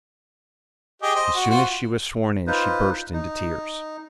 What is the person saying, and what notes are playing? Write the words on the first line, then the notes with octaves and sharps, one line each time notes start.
As soon as she was sworn in she burst into tears.
G4 G#4 D#5
C5 D#5
F#4
F4 F#4 C5
D#4 F4 B4 C5
D#4